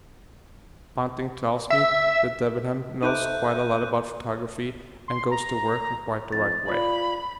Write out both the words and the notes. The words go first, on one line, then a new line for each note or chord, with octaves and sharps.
Ponting tells me that Debenham knows quite a lot about photography and goes to work in quite the right way.
E5
D#4 A4 C5 E5 D6 F#6 G6 D#7
C6
A#5
F2 A6
F4 D5 B5